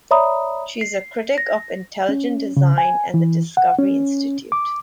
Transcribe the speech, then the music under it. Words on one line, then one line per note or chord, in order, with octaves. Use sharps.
She is a critic of intelligent design and the Discovery Institute.
C#5 D5 E5 A#5 B5 D#6
C7
A#6
C#4
C#3
G#5
E3
F#5
C#4
D6